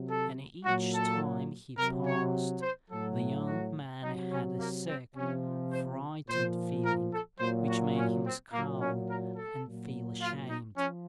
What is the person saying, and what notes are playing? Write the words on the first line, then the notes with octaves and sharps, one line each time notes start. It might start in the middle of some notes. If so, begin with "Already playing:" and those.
And each time he passed, the young man had a sick, frightened feeling, which made him scowl and feel ashamed.
Already playing: C3 F#3
A4
A#2 F#3 F#4
A4
C3 F#3 A#4
C#5
C5
A2 F#3 A4
F#4
C3 F#3 D#4
C#4
A#3
C4
C3 F3 C#4
C5
A#2 F3 C5
A#4
A4
A#2 F#3 C5
F#4
C#4
C4
A#2 F#3 A#3
C#4
A#4
A4
A#2 F#3
F4
D#4
F3 C#4